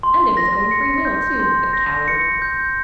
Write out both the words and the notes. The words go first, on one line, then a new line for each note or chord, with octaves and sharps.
And of his own free will, too, the coward!
C6
A#6
C#7
G6
C6
A#6
C#7
G6